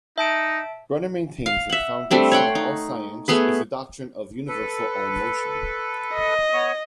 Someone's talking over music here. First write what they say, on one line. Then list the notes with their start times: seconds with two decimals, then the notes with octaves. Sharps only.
Brunner maintains that the foundation of all science is the doctrine of universal all-motion.
0.18 D#4 E5 A5 D7
1.46 F5
1.70 E5 F#5
2.11 G3 A3 C4 D4
2.32 C#5 F#5 G5 C6
2.55 D#4
3.28 A3 B3 G#4 B4
4.48 A4 B4
6.13 D#5
6.53 B3 C#5